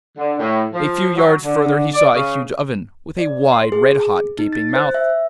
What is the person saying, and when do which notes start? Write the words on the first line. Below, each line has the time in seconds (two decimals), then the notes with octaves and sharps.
A few yards further he saw a huge oven, with a wide, red-hot gaping mouth.
0.17 D3
0.40 A2
0.73 F3
1.17 F#3
1.43 D3
1.93 D5
2.13 C#3
3.19 D5
3.52 C6
3.72 G#4
4.39 D#4
4.53 A6
4.76 C5
4.94 E5